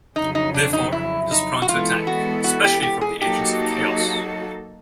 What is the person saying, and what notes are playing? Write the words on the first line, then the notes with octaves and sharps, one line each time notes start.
Therefore, it is prone to attack, especially from the agents of Chaos.
F2 C#3 F#3 D#4
D#4
D4
D#4
E4
D#4
F#4
E3 G#3 B3 E4 F4 A4
F#4
F#4
G4
G4
G#4
F#3 A#3 D#4 F#4 G4 A4